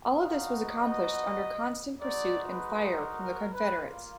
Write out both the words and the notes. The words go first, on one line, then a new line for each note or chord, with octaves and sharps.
All of this was accomplished under constant pursuit and fire from the Confederates.
B3 D#4 F#4 F5
D#5
G#3 D#4 F#4 D5
B4
A#4
A#4
B4
A#3 F4